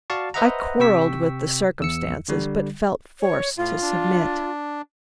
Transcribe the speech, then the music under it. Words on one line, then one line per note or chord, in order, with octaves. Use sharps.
I quarreled with the circumstances but felt forced to submit.
F#4 D5 F5 A5 C#6
B4 C5 D#5 E5 F#5 A#5
C3 G5 C#6 E6 B6
E2 E6 C#7
D3 G3
C#5
A2 F4
D4